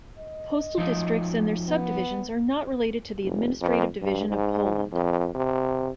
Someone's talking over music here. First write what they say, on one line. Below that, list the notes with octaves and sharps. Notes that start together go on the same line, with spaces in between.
Postal districts and their subdivisions are not related to the administrative division of Poland.
D#5
F3 F#3 D#4
B3
F1
F2
G2
G#2
F2
C3